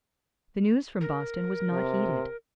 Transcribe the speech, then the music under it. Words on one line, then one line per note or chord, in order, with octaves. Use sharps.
The news from Boston was not heeded.
A#4
C3